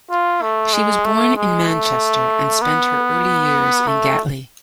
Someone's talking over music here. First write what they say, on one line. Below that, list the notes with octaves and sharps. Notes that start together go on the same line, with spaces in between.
She was born in Manchester and spent her early years in Gatley.
F4
A3
G#3
A3
G#3
A3
B3
A3